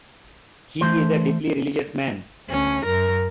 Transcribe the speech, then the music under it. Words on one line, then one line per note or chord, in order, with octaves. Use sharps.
He is a deeply religious man.
E3 A3 C5 C6
D2 C#4
F#2 A#4